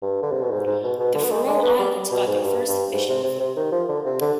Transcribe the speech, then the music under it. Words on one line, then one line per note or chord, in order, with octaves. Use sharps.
The Faroe Islands got their first fishing fleet.
G2
D3
C3
B2
G#2
G#2
B2
B2
D3
B3
G#3
G#3
B3
G3
B2
G#2
G2
G2
G#2
C3
C3
C3
D#3
F3
D3
C3
D3